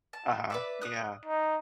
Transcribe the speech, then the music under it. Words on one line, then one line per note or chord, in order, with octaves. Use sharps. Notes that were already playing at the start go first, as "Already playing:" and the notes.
Uh-huh, yeah.
A5
B4 D5 E5
D#6 F#6
D#4